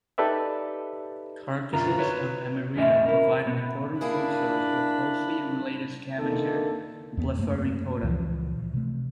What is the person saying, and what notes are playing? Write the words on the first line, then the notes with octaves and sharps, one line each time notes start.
Carcasses of "Emerita" provide an important food source for the closely related scavenger "Blepharipoda".
D#4 G4 A4 B4 D5 E5
B1 F#2 D3 F4 A#5
F#4 B4 C#5
E2 A2 C#4 D#5 E5
E4 A#4
B2 B3
A#3 D4 E4 G#4 B5
E2 D3 D#3 A#3 D#4 A4
E2 A#3 B3
F#2 A3 A#3
C#2 A#2 E3 F3
C3 A3